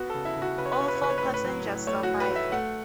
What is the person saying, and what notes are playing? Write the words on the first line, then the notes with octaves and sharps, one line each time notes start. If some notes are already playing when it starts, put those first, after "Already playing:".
All four passengers survived.
Already playing: B3 F#4
C#3 A4
E4
C#3
F#4
C#3 B4
C#5
B4
C#3 C#5
B4
C#5
C#3 B4
C#5
B4
A2 C#5
B4
F#3
A2
A3 C#5
F#4
A2
B4
A3
E5
A3 F#5